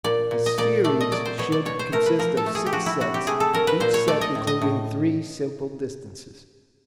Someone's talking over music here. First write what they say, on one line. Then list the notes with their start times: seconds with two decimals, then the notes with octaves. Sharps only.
A series should consist of six sets, each set including three simple distances.
0.04 A#2 D5
0.31 A#2
0.46 D#5
0.58 A#2 D5
0.84 A3 D5
1.01 D#5
1.11 F#3 D5
1.25 C5
1.38 B2 C#5
1.52 D5
1.65 B2 C#5
1.79 C5
1.92 A3 A#4
2.06 B4
2.19 F3 A#4
2.37 A4
2.46 A3
2.55 G#4
2.66 G4
2.73 F3 F#4
2.86 E4
3.00 C3 F#4
3.14 G4
3.27 A3 G#4
3.40 A4
3.53 F#3 A#4
3.67 B4
3.80 A#2 C5
3.94 C#5
4.07 A3 D5
4.21 D#5
4.35 A2
4.47 D#5
4.61 A2